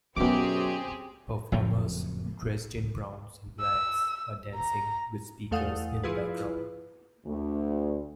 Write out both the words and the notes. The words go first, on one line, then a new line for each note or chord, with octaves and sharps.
Performers dressed in browns and blacks are dancing with speakers in the background.
F#2 B2 D3 C4 C#4 G4 G#4 D6
F#1 F2 A2 F3
E6
A#5
E2 A3 A4 F5 F#5 D#6
F3 E4 F4 G#4 B4
D2